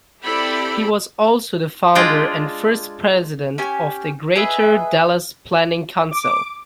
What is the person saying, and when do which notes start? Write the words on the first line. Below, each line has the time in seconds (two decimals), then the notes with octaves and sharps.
He was also the founder and first president of the Greater Dallas Planning Council.
0.23 C4 E4 G4 A4 D5 B5
1.95 G#3 D4 F4 G5
3.58 C#4 G4 G#5
4.36 G#4 B4 D#5 E5
6.11 D6